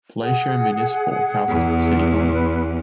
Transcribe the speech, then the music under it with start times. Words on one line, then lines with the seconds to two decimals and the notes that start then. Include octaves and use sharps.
Palacio Municipal houses the City Hall.
0.20 G#4 F#5
1.48 E2
2.30 B4